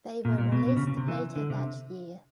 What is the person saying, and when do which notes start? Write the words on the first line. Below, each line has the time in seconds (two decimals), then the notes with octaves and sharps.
They were released later that year.
0.25 A#2
0.38 A#2
0.52 B2
0.66 B2
0.77 C#3
0.87 C#3
0.97 C3
1.08 E3
1.36 D3
1.50 C3